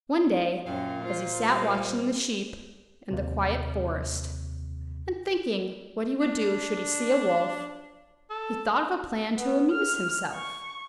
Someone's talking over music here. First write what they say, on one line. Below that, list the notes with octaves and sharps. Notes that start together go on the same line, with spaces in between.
One day as he sat watching the Sheep and the quiet forest, and thinking what he would do should he see a Wolf, he thought of a plan to amuse himself.
F#2 A#2 F5 G5
F4 C5
G3
D#2 C3
D4
A4
B3
F6
C#6